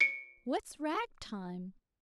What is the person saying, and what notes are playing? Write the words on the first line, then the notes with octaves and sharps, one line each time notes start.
"What's rag-time?"
C#7 D7